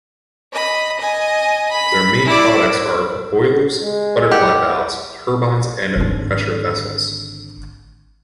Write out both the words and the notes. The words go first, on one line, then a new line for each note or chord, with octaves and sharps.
Their main products are boilers, butterfly valves, turbines, and pressure vessels.
D#5 B5
D#5 G#5
B5
E4 D5
G#3
G4 F#5
G#1 D3